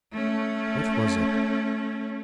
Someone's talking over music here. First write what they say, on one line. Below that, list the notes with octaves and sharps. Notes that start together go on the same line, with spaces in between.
What was it?...
A3 C#4